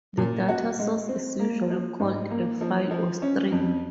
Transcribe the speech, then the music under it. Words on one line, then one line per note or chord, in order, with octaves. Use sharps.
The data source is usually called a file or stream.
A#2
F#4
G#3
C4
A#3
F3
G#2
A#3
F3
F3
C#4
F2